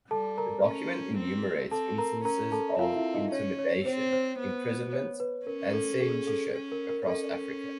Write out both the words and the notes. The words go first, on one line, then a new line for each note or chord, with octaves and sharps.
The document enumerates instances of intimidation, imprisonment, and censorship across Africa.
G3 A4 A5
A#4 A#5
C#4
C4
C4 A4 A5
A#4 A#5
C#4 A#4 A#5
A4 A5
E5
C4 F4 F5
E4 E5
D#4 D#5
C#4 C#5
C#5
C4 C5
C5
B3
C#5
B4
C#4 A#4
A4
G#4
A4
C#4
A#4
A#4
C#4 A4